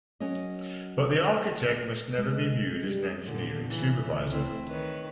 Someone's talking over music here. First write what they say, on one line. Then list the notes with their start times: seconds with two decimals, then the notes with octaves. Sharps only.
But the architect must never be viewed as an engineering supervisor.
0.20 F#3 C#4 A#4 D#5
2.18 G#3
2.84 G3
3.25 A#2 D3
3.67 C#3 E3
4.29 A3 C4 E4
4.68 D#3 B4 C#5